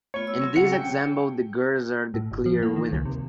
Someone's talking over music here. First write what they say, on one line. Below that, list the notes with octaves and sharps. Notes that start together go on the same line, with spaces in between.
In this example, the girls are the clear winners.
A3 B3 F4 C#5
E6
F#3 C4
C#3 G#3 G#4 F#5 A5 C#7
G5
A2
G1
F3
A#3
D#3
C#2
C3